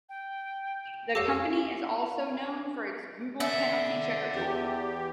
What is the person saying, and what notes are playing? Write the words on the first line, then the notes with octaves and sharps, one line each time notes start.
The company is also known for its Google Penalty Checker tool.
G5
G4 A4 C#5 F5 F#5 E6
D5 E5 F#5
E2 G4